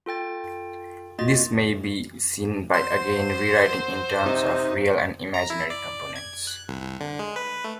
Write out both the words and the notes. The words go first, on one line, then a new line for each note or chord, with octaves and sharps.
This may be seen by again rewriting in terms of real and imaginary components.
F4 A4 G5 A6
A#3 F4 F#4 D#5 A6
F#3 C5 C6
C3 D#4
A#5
E4
D5
G#6
F#6
C2
C2
D3
G#3
B4
A3